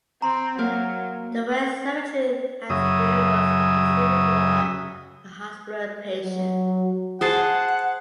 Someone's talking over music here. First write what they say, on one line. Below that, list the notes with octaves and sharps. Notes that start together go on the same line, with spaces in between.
The West cemetery has burials from the Civil War and hospital patients.
C4 A#5 C6
F#3 A#3 A#4 F5
F#2 C#3 E5 D#6
F#3
G#4 C5 F#5 A5